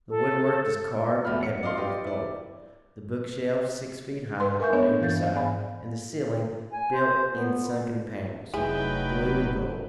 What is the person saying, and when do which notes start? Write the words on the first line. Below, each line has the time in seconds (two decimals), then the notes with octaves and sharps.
The wood-work is carved ebony with gold, the bookshelves six feet high on every side, and the ceiling built in sunken panels, blue and gold.
0.09 A4
1.25 E2 A3 F#4 B5 F6
1.43 C#7
1.63 D5 D#5 F5 C6
1.77 G4 B4 D5 D#5
2.04 E4 D5
4.40 B4 C6
4.60 A#4 E5 G#5 C#6 G6
4.73 B3 D4 C#5 D#5
4.99 G2 E3 F5 G6 A6
5.20 C5 D#5 F5
5.35 G#2 B3 D5 G#5 B5
6.73 G#5
6.93 C5
7.33 B3
8.54 F1 F#3 C#4 D#4 E4 G#4 B4 G5